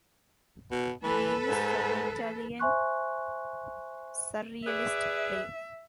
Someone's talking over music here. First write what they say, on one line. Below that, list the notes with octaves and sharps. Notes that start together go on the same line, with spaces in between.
The name is from an Italian surrealist play.
B2
E3 A4 B4
G#2
C5 E5 G#5 C6 C#6 F#6
G#4 B4 D5 E5